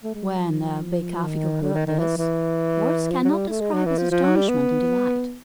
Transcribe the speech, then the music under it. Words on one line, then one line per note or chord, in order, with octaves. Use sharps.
When Becafico heard this, words cannot describe his astonishment and delight.
A3
G#3
G3
F#3
F3
D#3
D3
D#3
D#3
E3
E3
F3
F#3
G3
A3
G#3
F#3
E3
F3
F3
F#3
G3
B3